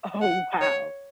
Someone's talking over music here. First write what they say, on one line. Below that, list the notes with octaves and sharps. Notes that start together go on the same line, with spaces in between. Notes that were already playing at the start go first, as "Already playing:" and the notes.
Oh, wow.
F#5
C#5